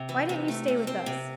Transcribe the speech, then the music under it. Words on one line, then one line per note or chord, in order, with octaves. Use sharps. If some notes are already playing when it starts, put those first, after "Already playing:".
Why didn't you stay with us?
Already playing: C3
E3
C3
A3
C3
C4
C3